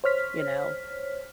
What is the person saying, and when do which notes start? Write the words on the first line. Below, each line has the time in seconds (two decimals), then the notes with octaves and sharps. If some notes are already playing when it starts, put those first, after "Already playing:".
you know,
0.04 C5 C#5 F6 B6